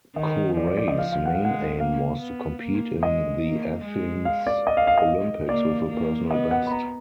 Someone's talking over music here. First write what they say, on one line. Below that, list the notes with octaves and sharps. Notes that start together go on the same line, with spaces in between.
Cooray's main aim was to compete in the Athens Olympics with a personal best.
D#3 D#5
F3 D5
D5
D5
D#5
F5
F5
F#5
G#3 F5
F#5
A#3 F5
B3
A#3
G#3 D#5
A#3
G#3
F5
D5
D#5
F5
F5
D#5
A#3 D5
A#3
B3 D#5
F#5
B5
A#5